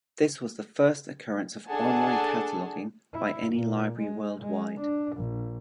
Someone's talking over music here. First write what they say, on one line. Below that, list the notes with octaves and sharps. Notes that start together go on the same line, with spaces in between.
This was the first occurrence of online cataloging by any library worldwide.
D4 G#4 A4 F#5 G#5 A5
E4
A#2
G#3
G#3
D4
A#1